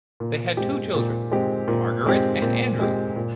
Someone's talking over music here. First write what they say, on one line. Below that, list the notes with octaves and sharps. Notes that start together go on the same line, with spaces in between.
They had two children, Margaret and Andrew.
A#2
G#3 C4 G4
A#2
G#3 C4 G4
A#2
G#3 C4 G4
A#2
G#3 C4 G4
A#2